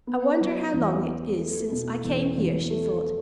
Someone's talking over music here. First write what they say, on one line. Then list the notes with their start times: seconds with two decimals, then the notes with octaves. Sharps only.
"I wonder how long it is since I came here," she thought.
0.07 B3
0.41 F#3
0.74 E2
1.06 B3
1.39 A3
1.72 B2
2.04 E2
2.38 E2
2.70 A3